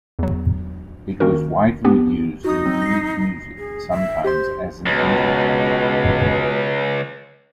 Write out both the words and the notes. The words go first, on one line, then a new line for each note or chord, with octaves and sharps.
It was widely used in blues music, sometimes as an interjection.
E2 F#3
D#3 A#3 C#4 F#4 A#4
B3 D4 G4
D#4 F#4 D#6
F#3 C4
A#6 C7
G#4
E5
G4 C5 C6
C#2 B2